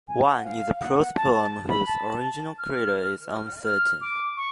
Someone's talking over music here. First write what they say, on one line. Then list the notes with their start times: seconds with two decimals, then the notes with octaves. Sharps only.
One is a prose poem whose original creator is uncertain.
0.08 G#5
0.26 F#5
0.44 F5
0.80 F#5
1.16 A5
1.33 A5
1.69 B5
1.87 A5
2.59 F6
3.30 F6
3.65 F6
4.01 D6
4.37 C#6